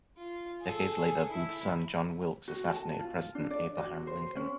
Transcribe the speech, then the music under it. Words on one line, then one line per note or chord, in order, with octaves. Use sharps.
Decades later, Booth's son, John Wilkes, assassinated president Abraham Lincoln.
F4
G#4 A4
E4
F#4
A5
F4
D4
D5
F#4
C5
C#4